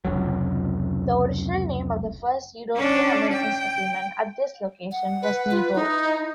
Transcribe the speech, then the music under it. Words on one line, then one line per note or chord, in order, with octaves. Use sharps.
The original name of the first European-American settlement at this location was Nebo.
F1 C#2 F#3
C#4 D4
G5
F#5
B4
F4
D#4 E4